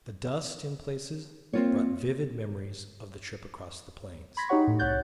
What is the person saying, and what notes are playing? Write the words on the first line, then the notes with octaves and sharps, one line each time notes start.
The dust, in places, brought vivid memories of the trip across the Plains.
A#3 C4 F4 C#5
B5 C6 G#6 A#6 B6
D#4 F#4 G4 C#5 F#5 C#6
A2
C2 C#5 F#5 F#6 G6 A6